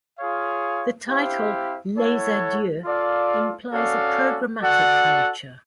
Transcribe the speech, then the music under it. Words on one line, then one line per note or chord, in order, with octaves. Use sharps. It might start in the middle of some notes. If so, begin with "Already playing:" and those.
The title "Les Adieux" implies a programmatic nature.
F4 G#4 C#5 F5
C4 E4 G4 C5 F5
E4 A4 C#5 F#5
F4 A4 D5 F5
C#4 F#4 A4 D5 F5
F#4 A4 D5 F#5